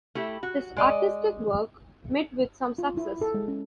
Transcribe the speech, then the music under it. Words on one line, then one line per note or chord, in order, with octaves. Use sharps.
His artistic work met with some success.
A3 E4 G4
F#4
G#3 D5 D#5
F4
E4
A4
G#3
C#4